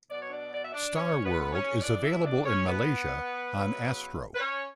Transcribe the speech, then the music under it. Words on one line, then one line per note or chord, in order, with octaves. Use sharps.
Star World is available in Malaysia on Astro.
B2 F#3 B3 D5
C#5
D4 D5
D5
E5
D4 D5
C#4 C#5
B3 B4
C#4 C#5
A2 E3 B3 D4 D5
E4 E5
D4 D5
C#4 C#5
B3 B4
C#3 F#3 B3
B4
C#4 C#5